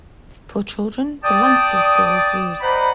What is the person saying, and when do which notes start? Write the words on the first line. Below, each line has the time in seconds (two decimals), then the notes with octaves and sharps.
For children, the Lansky score is used.
1.23 D5 G5 A5 D#6
2.61 C5 D5 D#5 F#5 A#5 B5